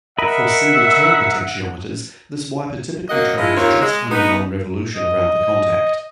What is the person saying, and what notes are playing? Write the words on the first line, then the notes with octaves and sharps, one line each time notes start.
For single-turn potentiometers, this wiper typically travels just under one revolution around the contact.
A#4 D#5 E5 F#5 B5
F#2 A#3 D#5 F#5
F3 G#3 E4 F4 D#5
D#2 A#3 C4 F4 C#5
G#3
B3 D#4
D#5